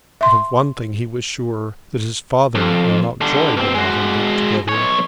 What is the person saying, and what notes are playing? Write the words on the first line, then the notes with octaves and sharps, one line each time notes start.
But of one thing he was sure, that his father and Mountjoy were not in league together.
E5 C6
F2
D3 G3
B2 C4
G#3 F#4
B1 C#5